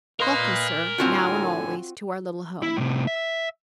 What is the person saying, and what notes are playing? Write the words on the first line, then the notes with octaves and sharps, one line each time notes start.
Welcome, sir, now and always, to our little home.
A#4 B4 D#5 F5 C6
A2 D3 C4 F4 F#4 G#5
E4
A2 C3
E5